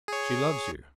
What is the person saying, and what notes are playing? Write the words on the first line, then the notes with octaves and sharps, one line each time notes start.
She loves you.
G#4 C#5